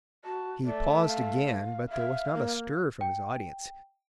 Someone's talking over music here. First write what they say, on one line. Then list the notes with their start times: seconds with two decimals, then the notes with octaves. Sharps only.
He paused again, but there was not a stir from his audience.
0.25 F#4 A5
0.65 A3 D5
1.07 F5
1.90 E5 F5
2.35 A#3
3.01 G5